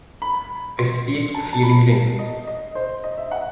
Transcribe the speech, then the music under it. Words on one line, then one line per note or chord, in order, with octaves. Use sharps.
I speak feelingly.
B5
C6
A5
A5
B5
A5
D#5
D#5
C5
D#5
E5
F#5